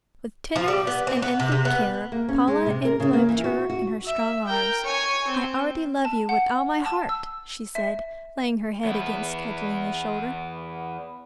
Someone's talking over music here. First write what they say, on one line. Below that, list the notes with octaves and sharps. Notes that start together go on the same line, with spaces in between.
With tenderness and infinite care Paula enveloped her in her strong arms. "I already love you with all my heart!" she said, laying her head against Catalina's shoulder.
F3
G3
B3
C4
B3
C3
C3
B3
A#3
C#4
G#3
C3
A#4
C#3
A#3
E3
F#4
F#4
E5
A#4 G5
C#5 G#5
C4
A5
F#5
A5
E6
E5
E2 B3